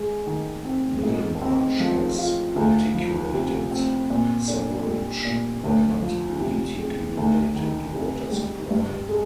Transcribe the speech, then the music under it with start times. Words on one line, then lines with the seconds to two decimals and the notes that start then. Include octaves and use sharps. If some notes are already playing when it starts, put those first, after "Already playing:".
Middlemarch has reticulated sewerage but no reticulated water supply.
Already playing: G#3
0.27 D#3
0.65 C4
1.03 G#2
1.42 C4
1.80 F3
2.18 F4
2.56 D2
2.95 F3
3.33 C3
3.71 C4
4.10 A#2
4.48 D4
4.87 G3
5.25 A#2
5.64 D2
6.02 F3
6.40 C3
6.78 G#3
7.17 D2
7.56 D#3
7.94 C3
8.32 G3
8.70 G2
9.09 G#3